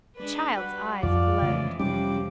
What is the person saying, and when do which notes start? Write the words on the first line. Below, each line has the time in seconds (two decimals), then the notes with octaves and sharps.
The child's eyes glowed.
0.16 G#3 D4 B4
0.56 G3 F#4 B4
1.03 F2 F3 F4 D5
1.42 F2 C#3 E3 G#3 A3
1.80 F2 C3 F3 G3 C#4 D6